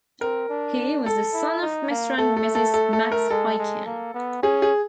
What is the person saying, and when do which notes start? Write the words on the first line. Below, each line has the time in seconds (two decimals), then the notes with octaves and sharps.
He was the son of Mr. and Mrs. Max Hiken.
0.21 C4 A#4
0.49 D4
1.06 A4
1.34 E4
1.62 D#4
1.90 A#3
2.18 A3 A4
2.37 A4
2.55 A4
2.74 A4
2.93 A4
3.12 A#4
3.30 G#3 A4
3.59 G#3
3.86 A#3
4.15 B3
4.43 C#4 G#4
4.62 G#4